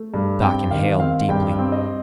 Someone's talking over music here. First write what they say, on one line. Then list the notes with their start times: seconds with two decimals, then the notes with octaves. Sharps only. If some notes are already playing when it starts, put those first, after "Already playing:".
Doc inhaled deeply.
Already playing: A3
0.14 G2
0.42 C4 G5
0.71 D#3 F5
1.00 C4 F5
1.29 G2 G5
1.59 C4
1.72 D#5